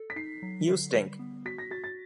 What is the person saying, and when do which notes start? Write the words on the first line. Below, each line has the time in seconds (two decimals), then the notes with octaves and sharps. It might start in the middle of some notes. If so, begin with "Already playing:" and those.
You stink.
Already playing: A4
0.10 B6
0.16 D#4 C7
0.42 F#3
0.69 D3
0.95 G3
1.19 B3
1.45 F#4 B6
1.58 A#6
1.71 F#4 A6
1.84 A6